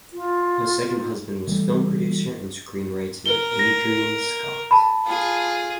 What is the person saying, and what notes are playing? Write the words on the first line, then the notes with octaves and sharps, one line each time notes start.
Her second husband was film producer and screenwriter Adrian Scott.
F4
E3 G3 A3
A#4 G7
A#6
A5 B5
F4 G#4